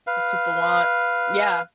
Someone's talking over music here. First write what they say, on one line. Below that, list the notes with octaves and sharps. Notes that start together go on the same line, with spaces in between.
as people want. Yeah.
B4 F5